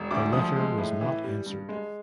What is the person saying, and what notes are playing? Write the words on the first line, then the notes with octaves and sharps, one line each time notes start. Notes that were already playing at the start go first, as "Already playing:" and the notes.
The letter was not answered.
Already playing: E1
D2 D6
F3 D#6
G#3
A2
E3
G3
G2
G#3